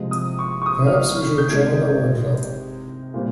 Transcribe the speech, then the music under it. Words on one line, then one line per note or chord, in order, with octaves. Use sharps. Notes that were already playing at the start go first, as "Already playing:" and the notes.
Perhaps we should join a wine club.
Already playing: C3 F3 G#3
D#6
C#6
C#6
D#6
F6
F6
G6
C3 D#3 G#3 G#6
A#2 G3 C4